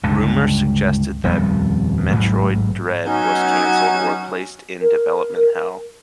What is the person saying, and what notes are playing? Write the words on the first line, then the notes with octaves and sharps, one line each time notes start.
Rumors suggested that "Metroid Dread" was cancelled or placed in development hell.
C#2 G2 D3
D#1 F2 G3 B3
A1 G#2 E3 F#3
F#3 B3 C#4 D#4
A#4